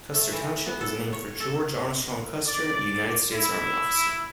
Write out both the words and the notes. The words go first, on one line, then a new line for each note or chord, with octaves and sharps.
Custer Township was named for George Armstrong Custer, a United States Army officer.
A3
E3
B3
A4
C#5
A4
D5
E4